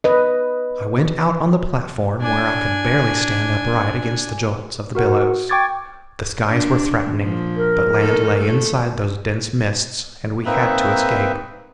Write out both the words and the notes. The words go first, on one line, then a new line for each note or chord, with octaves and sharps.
I went out on the platform, where I could barely stand upright against the jolts of the billows. The skies were threatening, but land lay inside those dense mists, and we had to escape.
B4 D#5
D4 G#5
F#4 A#4 F#5
G5 C#6 D6 G#6 A6
A#3 D4
A#2 F3
A#4
A3 D#4 A4
A#2 A3 A4
A#3 C4 D#4 B4 E5